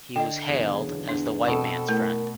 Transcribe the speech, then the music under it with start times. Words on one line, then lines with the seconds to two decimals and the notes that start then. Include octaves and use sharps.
He was hailed as the "Whiteman's Friend".
0.16 D3 D#5 G5
0.49 B1 E2 C#3 G#4
1.09 E2 D4
1.48 B2 C4 A4
1.89 A3 E4 A#4